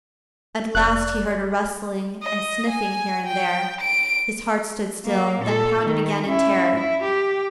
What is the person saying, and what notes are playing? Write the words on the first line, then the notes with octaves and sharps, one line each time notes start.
At last he heard a rustling and sniffing here and there. His heart stood still, then pounded again in terror.
F1 D5 F#6
D#5
G#5
G5
D7
F#3 A#3
A#2 A4
D#3
C#4 E4
E4
G4